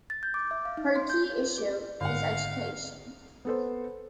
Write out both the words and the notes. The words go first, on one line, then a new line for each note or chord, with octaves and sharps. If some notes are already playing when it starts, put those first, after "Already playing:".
Her key issue is education.
A6
G6
D6
E5
F5
D#4
C6
G6
G4
G#1 D3 F5 F#5
B3 A4 C5